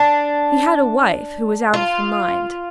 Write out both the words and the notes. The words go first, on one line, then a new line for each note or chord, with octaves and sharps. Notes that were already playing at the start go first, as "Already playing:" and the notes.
He had a wife who was out of her mind.
Already playing: D4
F4